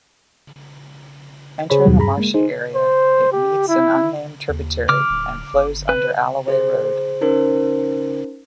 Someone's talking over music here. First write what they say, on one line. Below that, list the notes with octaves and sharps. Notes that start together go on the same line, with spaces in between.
Entering a marshy area, it meets an unnamed tributary and flows under Alloway Road.
C#3 G#4 C5 C#5 B5
D#2 B2 D#3 F#3 G3
G2 G#4 A#5 B5
G#3 A#3
D#4 G#4 C5
C5
G4
E4
D#2
C#3 D6 F6
D1
G1
B4
G#4 C5
C#4 D#4 A#4 C5